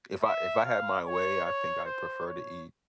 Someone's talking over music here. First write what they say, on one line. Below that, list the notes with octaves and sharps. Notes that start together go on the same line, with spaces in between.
if I if I had my way, I think I'd prefer to eat
E5
F5
C#5
C#5
C5
C#5